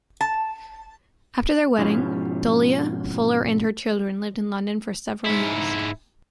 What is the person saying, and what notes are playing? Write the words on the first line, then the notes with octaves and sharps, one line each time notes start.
After their wedding, Dullea, Fuller and her children lived in London for several years.
A5
G#2 B2 F3 C#4 E4 G4
G#2 E4